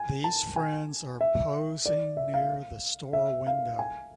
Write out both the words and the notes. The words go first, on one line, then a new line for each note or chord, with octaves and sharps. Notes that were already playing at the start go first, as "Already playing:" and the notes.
These friends are posing near the store window.
Already playing: G#5
A5
G#5
E5
D5
E5
F5
E5
F5
G#5